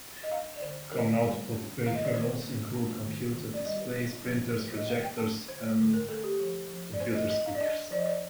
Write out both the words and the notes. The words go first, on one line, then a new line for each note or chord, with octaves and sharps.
Common output peripherals include computer displays, printers, projectors, and computer speakers.
D#5
D4 F5
D5
D3 C5
D3 A#4
G3
D4
D#3 F5
D#5
D5
D#3 C5
A#3
D4
D#3
D#3
D5
G3 D#5
D4
F3
F3
D#5
A#3 F5
G5
D4 A5
D3 C5
D3
A#4
A3 A4
G4
F3
F3
D5
C4 C5
D#5
C4 D#5
F5
D5
D4 D#5
F3 D5
D#5
D5